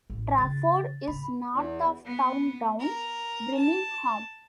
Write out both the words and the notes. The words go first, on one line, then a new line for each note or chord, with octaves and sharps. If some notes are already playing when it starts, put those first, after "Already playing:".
Trafford is north of downtown Birmingham.
A1
C#3 E3 A6
G#2 C#3 B5
E2
B3
A#4
A5